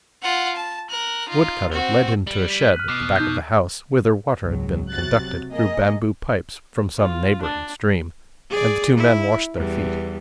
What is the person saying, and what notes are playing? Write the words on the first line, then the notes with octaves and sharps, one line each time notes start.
The woodcutter led him to a shed at the back of the house, whither water had been conducted, through bamboo-pipes, from some neighboring stream; and the two men washed their feet.
F4 F#5
A5
A#4 F#6
D#4 F4
C4 F#4
G3 F#7
B6 D#7
F6 F#6
B2 D6 C7
D#4 G6
C#2 G#2 F#3
C3 F#3 F#4 F#6 A6
A#3 G#4 A#4 D#5
F4
D4
G#4 D5
E4
E2 G3